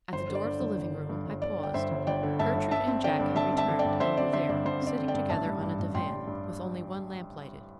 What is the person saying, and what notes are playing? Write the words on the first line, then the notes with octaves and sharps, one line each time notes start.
At the door of the living-room I paused. Gertrude and Jack had returned and were there, sitting together on a divan, with only one lamp lighted.
G1 C5
D3
D5
G2
G1
G1
D3
G2
G1
G1 D5
D3
G5
G2 C5 E5
G1
G1 D5 G5
D3
G2 E5 A5
G1
G2 E5 A5
C4
D3 D5 G5
G2
G2 E5 A5
C4
E5 A5
D3
D5 G5
G2
G2 C5 E5
C4 D5
D3 C5 E5
G2 D5
G2 C5
C4
D5
D3
D5 G5
G2
A1 E5 A5
G3
G2
A1
A1 G5 C6
G3
G2